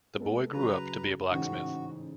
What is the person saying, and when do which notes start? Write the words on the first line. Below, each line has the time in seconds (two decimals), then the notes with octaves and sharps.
The boy grew up to be a blacksmith.
0.17 G#3 B3 A4
0.53 C#3 F#3 B4 A#5
1.31 A1 G#2 C#3 F#4